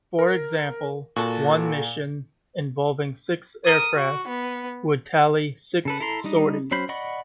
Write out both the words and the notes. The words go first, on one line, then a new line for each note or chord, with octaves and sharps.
For example, one mission involving six aircraft would tally six sorties.
A#4
A#2 F#4 A4
A#4 D#6
F#4
B3
C#3 A4 B4
E4 A4 A#5 C6
G3 D4 D#4 D#5
F#3 C#4 C5 B5 G6
D5 D#5 F#5 B5 C#6